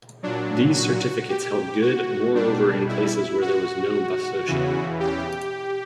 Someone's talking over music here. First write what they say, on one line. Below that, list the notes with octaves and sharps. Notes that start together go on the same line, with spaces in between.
These certificats held good, moreover, in places where there was no Basoche.
A#2 F#3 D4
F#4
G4
F#4
B2 G3 D4
E4
F#4
E2 C#3 E3
G4